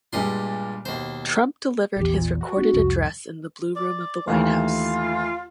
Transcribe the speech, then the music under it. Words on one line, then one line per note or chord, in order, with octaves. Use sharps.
Trump delivered his recorded address in the Blue Room of the White House.
G2 A#2 G3 G#3 D#5 C6
D#2 B2 C5
A#1 E2 G4
A#2
F#4
B3 D4
C2 F2
D5
D#2 E3 A3 F4